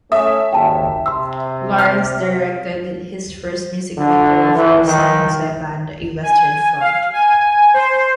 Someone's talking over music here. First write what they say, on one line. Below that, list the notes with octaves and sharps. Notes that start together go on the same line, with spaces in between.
Lawrence directed his first music videos for the San Jose band, A Western Front.
A3 C#4 E5 D#6
G#1 D#2 G5 A5
C3 C6 E6
F6
D3
E3
D#3
G#5
F5
G#5
C5